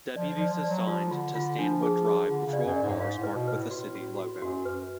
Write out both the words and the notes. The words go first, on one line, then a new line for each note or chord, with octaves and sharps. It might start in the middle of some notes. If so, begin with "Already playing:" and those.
Deputies assigned to Stanwood drive patrol cars marked with the city logo.
F3 D5
F3
D5
F3
D5
F#3
F3 F4
D3 F4
D3 F4
F3 D4
G#4
G#4
D3 F4
C#3
D5
F#2
D5
G#2
G#2 F5
A2
B4
B2
B4
A2
A2 F#4
F#4
F#4
F#2 F#4
F#2 B4